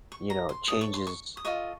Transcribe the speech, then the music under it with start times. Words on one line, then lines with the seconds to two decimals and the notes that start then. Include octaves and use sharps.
you know, changes
0.12 C#6
0.30 A#5
0.49 C6
0.68 A4 C#5 D#6
0.81 C#6
0.94 C6
1.07 C#6
1.37 D#6
1.45 F4 A4 D#5 C#6